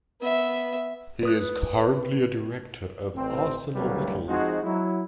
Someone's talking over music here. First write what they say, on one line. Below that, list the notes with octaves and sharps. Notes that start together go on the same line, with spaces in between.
He is currently a director of ArcelorMittal.
B3 E5
B4 D#6 F#6
A1 C4
A1 D2 F#3 G3 A#3 B4
F3 G#3 C4 D#4 F#4
F#3 E4